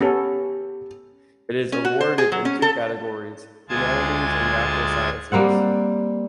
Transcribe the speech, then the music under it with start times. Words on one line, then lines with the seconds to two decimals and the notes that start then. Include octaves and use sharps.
It is awarded in two categories: humanities and natural sciences.
0.01 B3 C#4 G4 A4
1.72 C#4
1.85 F#4
2.01 C5
2.18 G#4
2.32 F#3
2.45 C#4
2.62 A4
3.69 D2 G#3 F4 G#4 A5 G#6
5.32 G3 A#3 C4 F#5